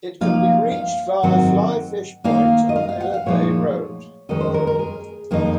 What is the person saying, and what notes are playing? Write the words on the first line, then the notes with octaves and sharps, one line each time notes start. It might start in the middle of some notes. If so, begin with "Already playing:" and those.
It can be reached via Fly Fish Point on Ella Bay Road.
C3 F3 A#3 D#4 F5
F5
G#2 D#3 F#3 C4 F#5
D#3 A#3 D#4 F5
D#5
F5
F5
F#5
F5
A#2 F3 G#3 D#4 C#5
F2 D#3 G#3 C#4 D#5
C5
A#4
A#4
G#4
F2 D#3 A#3 D#4